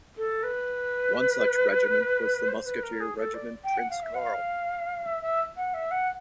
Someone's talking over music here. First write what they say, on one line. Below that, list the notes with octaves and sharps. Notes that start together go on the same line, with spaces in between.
One such regiment was the Musketeer Regiment Prinz Carl.
A4
B4
C5
B4
A#4
G#4
A4
D5
G5
F#5
F5
E5
F#5
F5
E5
E5
F#5
E5
F#5